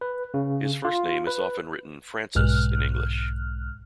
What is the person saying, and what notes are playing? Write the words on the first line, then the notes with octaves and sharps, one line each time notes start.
His first name is often written 'Francis' in English.
B4
C#3
F4
B4
B1 G#2 F6 F#6